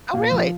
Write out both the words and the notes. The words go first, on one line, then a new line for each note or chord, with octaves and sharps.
Oh, really?
A#2 F5
F3